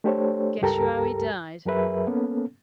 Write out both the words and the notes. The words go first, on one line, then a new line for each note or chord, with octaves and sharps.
Guess yo' how he died?'
A3 D4 G4 A4 C5 C#5
C#2 G2 G4 A4 A#4 A#5
F#2 F#3 G#4 A#4 B4 E5
A#3 B3 C#4 A4